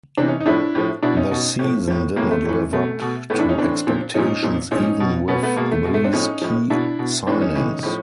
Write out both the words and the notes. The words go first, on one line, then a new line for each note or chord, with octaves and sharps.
The season did not live up to expectations even with these key signings.
C3 E3 C4 D4
C#4 D#4
D#4
A2 F3 D4 E4
A2 F3
B2 D4 E4
C#4 D#4
B2
A2
F3
A2 F3
A2 E3 G#3 A#3
A3
A2 E3
B2 A3
B2
A2 E3 A3 B3
D4 E4
C#4 D#4
A2 E3 C4 D4
A#2 F3
A#2 F3 C#4 D#4
A#2 F3
A#2 F3 C#4 D#4
B2
B2 B3 C#4
A3 B3
B2 G#3 A#3
A3
B2 G#3
A3
C4 D4
A2 F3 C#4 D#4
A2 F3
B2 D4 E4
B2
A2 E3 C4 D4
C#4 D#4
A2 E3
A2 F3